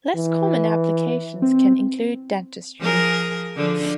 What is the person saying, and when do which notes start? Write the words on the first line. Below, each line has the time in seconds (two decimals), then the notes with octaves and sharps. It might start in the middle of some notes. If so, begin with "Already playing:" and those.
Less common applications can include dentistry.
0.15 E3
1.42 C4
2.80 F3 G#4 A#4
3.56 D3 F3 D4